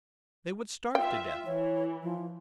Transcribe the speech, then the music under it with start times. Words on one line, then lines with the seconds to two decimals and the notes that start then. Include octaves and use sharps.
They would starve to death.
0.95 F4 E5 G5
1.46 E3 C#5
2.03 F3